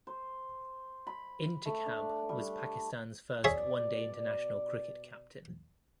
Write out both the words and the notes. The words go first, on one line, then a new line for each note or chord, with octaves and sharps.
Intikhab was Pakistan's first One Day International cricket captain.
C5
B5
A3
D4
G3
B2 G#4 C#5 D5 E5